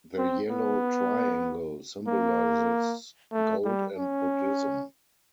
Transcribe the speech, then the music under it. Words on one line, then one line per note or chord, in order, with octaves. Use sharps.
The yellow triangle symbolizes gold and Buddhism.
C4
B3
A#3
A3
G3
C#4